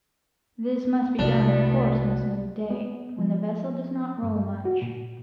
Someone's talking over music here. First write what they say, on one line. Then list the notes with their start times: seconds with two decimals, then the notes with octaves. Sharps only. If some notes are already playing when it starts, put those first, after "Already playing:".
This must be done, of course, on a smooth day, when the vessel does not roll much.
1.19 C2 A3 B3 D4 F4 F#4 D5
2.70 B3
3.18 F3
4.23 G2
4.65 F#4
4.82 A#2